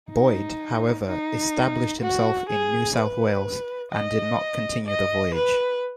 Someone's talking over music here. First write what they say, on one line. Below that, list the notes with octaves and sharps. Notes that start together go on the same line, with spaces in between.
Boyd, however, established himself in New South Wales, and did not continue the voyage.
D#4
D#4
F#4
G#4
B4
D#5
D#5
B4